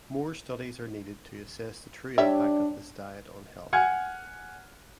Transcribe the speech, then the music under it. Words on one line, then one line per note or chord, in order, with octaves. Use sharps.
More studies are needed to assess the true impact of this diet on health.
G3 D4 C#5 E5
F#5 G#5 F6 G#6